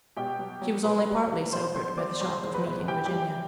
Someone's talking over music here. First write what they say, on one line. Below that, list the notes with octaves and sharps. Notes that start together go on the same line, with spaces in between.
She was only partly sobered by the shock of meeting Virginia.
B2 G4 G5
F#3
F#3
B2 B4 B5
G3
G3
B2 C5 C6
F#3 C5 C6
F#3 D5 D6
F#3 C5 C6
E2
B4 B5
B2
E3 G4 G5
G4 G5
G3
G4 G5